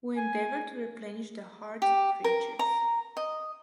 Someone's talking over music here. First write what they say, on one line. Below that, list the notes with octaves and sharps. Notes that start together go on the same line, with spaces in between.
We endeavor to replenish the hearts of creatures.
G#5
G4
A#4
A#5
D#5